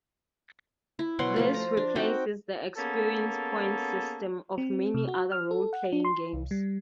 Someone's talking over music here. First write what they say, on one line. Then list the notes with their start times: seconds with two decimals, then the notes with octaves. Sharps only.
This replaces the experience points system of many other role-playing games.
0.99 E4
1.19 B2 F#3 F#5 C6
1.36 F3 A3 F4
1.54 A#5
1.77 D4
1.96 C4 D#4 F#4 G5
2.77 A#3 B3 C#4 G#4 A4
4.58 C4
4.94 C3
5.07 F#4
5.32 F6
5.51 A4
5.73 F#5
5.92 D4
6.05 C6
6.33 C2
6.51 G3